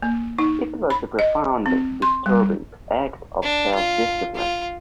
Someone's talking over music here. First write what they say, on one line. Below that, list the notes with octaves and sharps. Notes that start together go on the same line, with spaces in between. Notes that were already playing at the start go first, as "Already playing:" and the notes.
It was a profoundly disturbing act of self-discipline.
A#3
D#4
B5
D#5
C4
C6
G3
D4
F4
F4